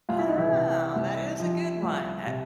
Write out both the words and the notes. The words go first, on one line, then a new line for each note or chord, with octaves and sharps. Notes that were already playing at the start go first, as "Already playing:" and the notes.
Oh, that is a good one, that
C2 F4
E4
D#4
E3 E4
C3
C2
F3
C2
C3